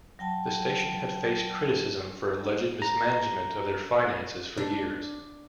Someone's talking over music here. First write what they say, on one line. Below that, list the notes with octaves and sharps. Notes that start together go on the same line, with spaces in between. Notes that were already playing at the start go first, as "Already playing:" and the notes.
The station had faced criticism for alleged mismanagement of their finances for years.
F#3 G5 A5
A#5
D4